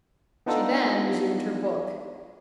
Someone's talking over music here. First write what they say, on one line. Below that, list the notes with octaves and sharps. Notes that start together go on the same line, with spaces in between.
She then resumed her book.
B3 D4 D#4 F4 A4